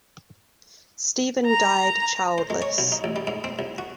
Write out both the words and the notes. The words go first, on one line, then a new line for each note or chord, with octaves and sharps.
Stephen died childless.
A#5
C5
G#3
C#5
B1
D#4
A1
G3
G#2
C4
C2
F#4